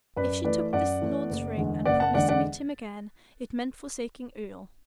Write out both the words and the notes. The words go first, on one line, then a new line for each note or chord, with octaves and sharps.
If she took this lord's ring, and promised to meet him again, it meant forsaking Earle.
F#2 B4 D5
E3 A3 B4 D5
F#2 D5 F#5
E3 A3
F#1
E2 D3 G#3
F#1 D5 F#5
F#5 A5
E2 D3 G#3 D5 F#5
D5 F#5